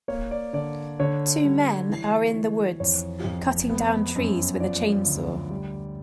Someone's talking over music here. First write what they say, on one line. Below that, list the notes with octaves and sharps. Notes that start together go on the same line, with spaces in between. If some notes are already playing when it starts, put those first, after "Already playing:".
Two men are in the woods cutting down trees with a chainsaw.
A#3 C#5
D5
D3 D5
D3 C#5
G3
E3
E3
F2 C#5
F2
B3
F#2
F3 D5
D2
G3